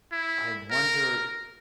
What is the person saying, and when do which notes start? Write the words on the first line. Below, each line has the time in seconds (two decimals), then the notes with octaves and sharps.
I wonder
0.12 E4
0.71 A#4